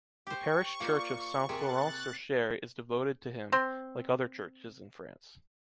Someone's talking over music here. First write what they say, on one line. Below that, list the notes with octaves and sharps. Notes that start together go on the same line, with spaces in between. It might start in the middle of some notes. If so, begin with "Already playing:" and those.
The parish church of Saint-Florent-sur-Cher is devoted to him, like other churches in France.
G4 C5 C#6
A#3 F4 C5 D5
C3 G#4 A#4 C6 F#6 A6
C4 C6